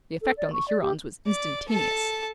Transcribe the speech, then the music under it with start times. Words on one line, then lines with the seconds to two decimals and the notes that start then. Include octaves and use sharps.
The effect on the Hurons was instantaneous.
0.22 A4
0.37 D5
0.53 C#6
0.68 D5
0.81 G4
1.27 D5
1.69 A4 A5